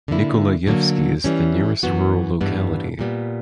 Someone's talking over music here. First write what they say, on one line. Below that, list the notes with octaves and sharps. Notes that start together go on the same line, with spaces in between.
Nikolayevsky is the nearest rural locality.
D3 A#3 E4
D3 F#3 A#3
E3 G3 C#4
F#2 E3 B3 F#4
G2 E3 G3 B3
A#2 G3 B3